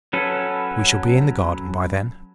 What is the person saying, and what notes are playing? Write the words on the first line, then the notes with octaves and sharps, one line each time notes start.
We shall be in the garden by then.'
F#3 C#4 A4 B4